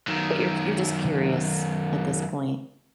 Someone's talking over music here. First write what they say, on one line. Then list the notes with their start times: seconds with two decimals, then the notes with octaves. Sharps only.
But you're you're just curious at this point.
0.08 F#2 D#3